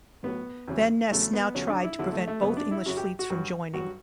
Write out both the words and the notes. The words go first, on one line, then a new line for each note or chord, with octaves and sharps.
Van Nes now tried to prevent both English fleets from joining.
A2 F#3 B3
E2 C#3 F#3
E2 C#3 F#3 A3
B3
E2 D3 F#3 C#4
D4
E4
E2 D3 F#3 E4
A3
A3
F#2 C#3 F#3 B3
D4
E4
F#2 C#3 F#3 F#4
G4
F#4
G2 F#3 F#4
G2 F#3 F#4